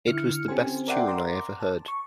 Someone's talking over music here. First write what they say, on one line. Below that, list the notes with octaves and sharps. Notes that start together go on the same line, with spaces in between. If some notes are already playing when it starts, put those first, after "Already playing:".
It was the best tune I ever heard.
D3 E4 F6 C#7
C4 C#4 G4 A4 C5 G#5
A#4 D5 E5 F#5 G5 C6
A#5 C6 D6
A5
C#6